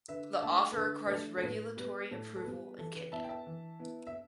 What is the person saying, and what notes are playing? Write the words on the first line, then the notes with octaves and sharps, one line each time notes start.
The offer requires regulatory approval in Kenya.
D3 B4 E5
A3 D4 E5 A5
A4
D3 B4
B4
A3 D4 A4
A4
A2 B4
G3 B3 B4
A2 A4
A4
G3 B3 B4
E3 A4
B4
B3 E4 E5 A5
G5
E5 A5
E3
B3 E4
E5